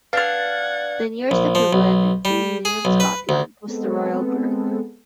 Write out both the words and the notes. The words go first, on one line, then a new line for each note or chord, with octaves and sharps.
The nearest equivalent in pre-Union Scotland was the royal burgh.
D4 B4 F5 F#5 F6 G#6 A6
A#1
F3
B1
G3
G#4
B1
B4
D2
G#3 B3 C4 A4